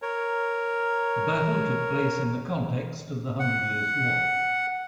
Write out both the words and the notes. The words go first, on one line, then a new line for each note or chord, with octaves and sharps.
The battle took place in the context of the Hundred Years War.
A#4 C#5
F#5